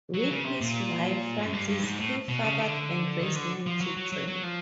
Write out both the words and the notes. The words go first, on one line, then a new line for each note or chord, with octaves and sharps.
With his wife Frances he fathered and raised nine children.
F#3
C#3
C3
A#2
A2
F#2
G2
G2
G#2
A2
B2
C#3
D3
D#3
D3
F3
F#3
F#3
F#3
F#3
F3